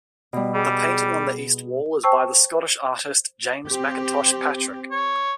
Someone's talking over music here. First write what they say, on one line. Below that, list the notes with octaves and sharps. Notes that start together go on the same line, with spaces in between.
The painting on the east wall is by the Scottish artist James McIntosh Patrick.
B2 G3
G3 G#4
C5 G5 A5 C#6 E6
C4 G4
C#5